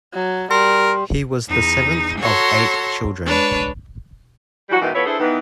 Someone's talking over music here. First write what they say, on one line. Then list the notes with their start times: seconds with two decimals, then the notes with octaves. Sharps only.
He was the seventh of eight children.
0.14 F#3
0.51 G3 A#4 C6
1.47 E2 D#4
2.19 F#4 A4 C#5 A#5 C6
3.26 G#3 D4 B4 C#5
4.69 E3 F#3 G3 F#4
4.81 G#2 B2 D#3 E3
4.95 F3 B3 E4 A4 B4 C#5
5.06 D4 E4 G#4 A4 B4 C5
5.20 D#3 E3 B3